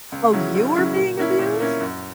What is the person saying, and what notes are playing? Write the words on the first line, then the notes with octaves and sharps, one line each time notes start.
Oh, you were being abused?
C#2
C#3 F#3 C#4 E4
C#2
C#3 F#3 C#4 E4
A#2
A#3 C#4 E4
A#2
A#3 C#4 E4
F#2